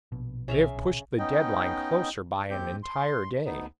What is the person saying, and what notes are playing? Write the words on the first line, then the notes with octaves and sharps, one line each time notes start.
They have pushed the deadline closer by an entire day.
A#1 B2
B1 C#3 E5 F5
B3 C#4 D#4 D#5 G5
D#2 C4 G4 G6
C6
D2 B3 D#4